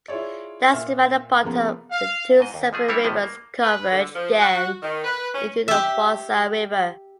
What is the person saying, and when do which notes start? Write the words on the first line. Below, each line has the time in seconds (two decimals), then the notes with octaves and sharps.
Downstream at the bottom the two separate rivers converge again into the Fossa river.
0.08 E4 F4 G#4 C#5 D5
0.73 A#2 E5 F6
1.43 C#3 F3 A#3 B3 A#5
1.91 F5
2.40 G#2 D#5
2.54 D#2
2.73 F3 A3 G#4
2.89 G3 A#3 C4 D4 E4 C#5
3.04 G#1 A2 F3 B3 D#5
3.23 A#3
3.62 B4
3.91 D3
4.13 F3
4.39 F#4
4.83 D#3
5.04 B4
5.34 C#4
5.68 G4 E5